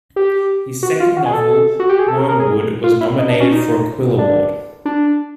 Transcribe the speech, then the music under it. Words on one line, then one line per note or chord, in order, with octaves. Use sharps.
His second novel, "Wormwood", was nominated for a Quill Award.
G4
F#4
F4
F#4
G#4
A4
F#4
G4
G#4
A4
A#4
A#4
G#4
F4
E4
D#4
D4
C#4
D#4
D4
D4